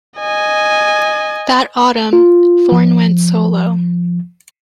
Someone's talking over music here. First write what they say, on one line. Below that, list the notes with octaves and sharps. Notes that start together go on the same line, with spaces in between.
That autumn, Thorn went solo.
D#5 G#5
F4
F3